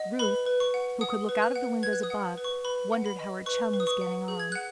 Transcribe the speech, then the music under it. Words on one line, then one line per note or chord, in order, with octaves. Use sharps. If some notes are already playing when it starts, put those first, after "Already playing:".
Ruth, who could look out of the windows above, wondered how her chum was getting on.
Already playing: D#5 F#5
B4 B5
B4
C#6
F#5
F#5 D#6
B4
F#6
F#5
B4 G#6
F#6
D#6
F#5
B4
C#6
B4 B5
F#5
B5
D#5
B4 C#6
B4
D#6
C#6
F#5
G#4
G#6
F#5 F#6